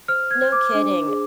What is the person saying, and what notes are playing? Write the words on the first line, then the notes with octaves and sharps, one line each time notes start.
No kidding.
C5 F6
G#6
C5
D6
D4
G#4